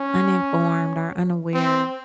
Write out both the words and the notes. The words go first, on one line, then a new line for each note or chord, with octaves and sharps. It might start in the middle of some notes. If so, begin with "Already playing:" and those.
uninformed or unaware
Already playing: C#4
C4